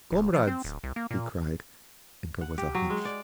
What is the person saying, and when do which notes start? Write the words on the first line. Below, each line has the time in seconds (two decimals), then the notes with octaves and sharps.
"Comrades!" he cried and there was a hush.
0.12 D1
0.33 F3
0.47 C4
0.64 D1
0.84 C2
0.96 A#3
1.11 A#2
2.41 F#5
2.58 G4
2.75 F#3
2.90 G#3
3.05 D5